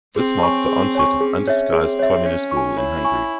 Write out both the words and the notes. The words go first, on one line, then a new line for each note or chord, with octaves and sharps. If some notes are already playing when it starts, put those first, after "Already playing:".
This marked the onset of undisguised Communist rule in Hungary.
C4 G#4
C#5 G#5 C#6
G#4
C#5 G#5 C#6
C#4 G#4
C#5 E5
C4 G#4
C#5 E5
C#4 C#5
C#6
G#5
E4 C#5
G#5 C#6